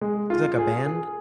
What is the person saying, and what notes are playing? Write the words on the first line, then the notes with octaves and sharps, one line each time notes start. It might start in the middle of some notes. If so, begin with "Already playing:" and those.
It's, like, a band?
G#3
F4
G#4
G#4